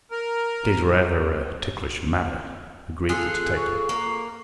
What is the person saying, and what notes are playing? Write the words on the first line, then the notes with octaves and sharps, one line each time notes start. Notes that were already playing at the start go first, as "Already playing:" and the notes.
"It is rather a ticklish matter," agreed the detective.
A#4
F4 G#4 A4 F#6
C#6
A#3